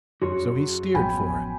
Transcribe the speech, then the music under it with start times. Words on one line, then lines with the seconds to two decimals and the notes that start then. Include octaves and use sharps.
So he steered for it.
0.22 F#2 F#4 G#4 C#5 C6
0.94 A1 F3 B3 G5 G#5 B5